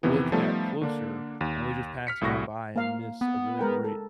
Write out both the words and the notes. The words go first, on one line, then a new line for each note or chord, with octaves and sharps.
looked at closer, and we just pass it on by and miss a really great
F2 C3 D#3 E3 B3
F3 G3 A3 B3 D#4 A4
D3 A#3 D4
D#2
F6 B6 C#7
C2 A2 F#4 C#6 A#6
A#3 F5
B3
G#3 A#4 G5
A4